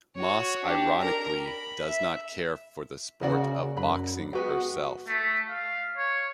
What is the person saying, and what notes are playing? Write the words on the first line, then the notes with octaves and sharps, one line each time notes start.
Moss ironically does not care for the sport of boxing herself.
F#4 C#5
D4 G4
A#4 A#5
B5
E5
C#3 A#3 F#4 D5
F#2 F#3 B5
G#3 B3 F#4 G4
A3
F5
C#5